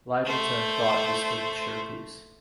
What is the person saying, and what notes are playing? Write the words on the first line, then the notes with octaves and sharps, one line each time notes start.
Lyttleton thought this would ensure peace.
A3 C5